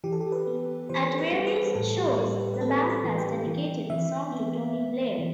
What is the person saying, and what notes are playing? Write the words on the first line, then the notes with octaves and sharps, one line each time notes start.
At various shows, the band has dedicated the song to Tony Blair.
E3 G4
A4
G4
B4
B3
E3 C5
B4
G3
B4
A2 A4
G4
G3
B4
B4
C4 A4
B4
E3
G5
E3
E3 E5
B3
B3
E3